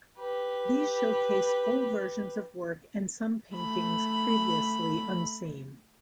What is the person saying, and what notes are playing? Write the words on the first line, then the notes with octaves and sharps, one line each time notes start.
These showcase full versions of work and some paintings previously unseen.
G4 B4
A3 B5